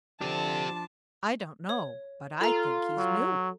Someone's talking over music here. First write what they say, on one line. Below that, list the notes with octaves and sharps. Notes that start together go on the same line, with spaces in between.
"I don't know, but I think he's new."
D3 F3 D4 G4 C5 A5
C#5
F4 A4 A#5
F#3